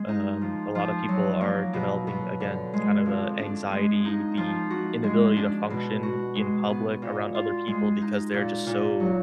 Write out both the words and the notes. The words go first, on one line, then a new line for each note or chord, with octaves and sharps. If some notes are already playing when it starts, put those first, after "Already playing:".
Um, a lotta people are developing, again, kinda of, uh, anxiety, the inability to function in public around other people because they're just so
Already playing: G#3
D#4
F3
F3
F#3
A#3
B2
B2
D3
G#3
F2
D4
G#3
D#4
F3
F#4
G#3
D4
B2
F#4
G#3
B3
A#2
F4
G#3
D#4
A#2
A#2
F#3